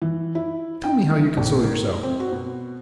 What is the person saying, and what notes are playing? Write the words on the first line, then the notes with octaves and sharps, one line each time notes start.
"Tell me how you console yourself."
E3
E4
G5
E3
A#1
A#4
C4
F#4
B2